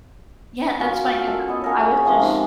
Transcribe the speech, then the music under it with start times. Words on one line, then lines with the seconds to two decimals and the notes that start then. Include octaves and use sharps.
Yeah, that's funny 'cause I I was just
0.80 C#4 F4 F#4 A#4
1.27 A4
1.48 B3 D#5
1.62 C#3 A#4 C#5
2.05 G#2 C3 F3 G#3